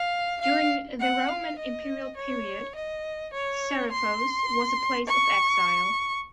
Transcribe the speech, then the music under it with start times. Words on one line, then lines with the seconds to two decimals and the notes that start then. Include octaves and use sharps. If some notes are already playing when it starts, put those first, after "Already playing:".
During the Roman imperial period, Serifos was a place of exile.
Already playing: F5
0.41 F5
1.00 F#5
1.29 F5
1.59 D#5
2.17 C#5
2.76 D#5
3.34 C#5
3.92 C6
5.08 C#6